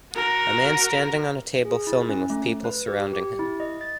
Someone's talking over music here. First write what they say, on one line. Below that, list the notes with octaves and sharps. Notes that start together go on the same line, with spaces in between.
A man standing on a table filming with people surrounding him.
F#4 A#4
G#4
E4
C#4
A3
B4
G4
G4
E4
D#5
A6